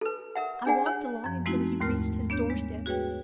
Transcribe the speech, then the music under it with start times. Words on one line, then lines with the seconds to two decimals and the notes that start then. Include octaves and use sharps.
I walked along until he reached his door step.
0.01 A4 B4
0.35 A#4 E5 F#5
0.66 D4 G#4 D5 F#5 G#5
0.86 C#5
1.24 F#2 F3
1.46 G#3 A3 C4 D#4 E4 F#4
1.80 D#2 G#2 A3 A#4 F6
2.30 B3 D4 C#5 G6
2.50 G#3
2.86 F#4 G#4 B4 C#5 G5